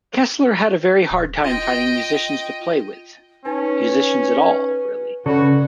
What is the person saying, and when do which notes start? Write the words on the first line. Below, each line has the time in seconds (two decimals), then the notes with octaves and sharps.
Kessler had a very hard time finding musicians to play with-musicians at all, really.
1.11 D#1
1.44 F4 D#5 G5
3.45 C#4 D#4 B4 G#5
5.26 C#3 F#4 A4 D5 B5